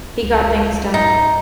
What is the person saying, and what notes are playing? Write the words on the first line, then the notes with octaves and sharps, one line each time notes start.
He got things done.
C#2
G#2 D#4